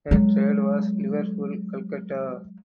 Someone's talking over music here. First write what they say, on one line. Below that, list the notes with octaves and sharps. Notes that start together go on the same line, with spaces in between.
Her trade was Liverpool–Calcutta.
F#3 G#3